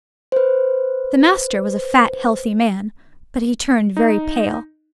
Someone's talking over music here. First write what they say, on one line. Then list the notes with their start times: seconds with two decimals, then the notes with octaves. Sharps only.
The master was a fat, healthy man; but he turned very pale.
0.32 B4 C5
3.97 D#4